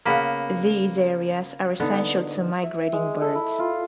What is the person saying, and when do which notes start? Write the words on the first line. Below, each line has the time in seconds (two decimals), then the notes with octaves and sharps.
These areas are essential to migrating birds.
0.06 C#3 A#3 B3 F#5 B5
1.80 D3 B3 D#4
2.63 E5
2.93 G#3
3.22 A4
3.35 E4
3.59 F4